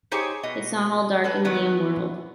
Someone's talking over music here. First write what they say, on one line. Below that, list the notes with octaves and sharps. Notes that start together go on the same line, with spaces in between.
It's not all dark in Liam World.
D#4 G4 G#4 C5 C#5 G#5
B2 D#5
A4 B4
D#3 F#3 B3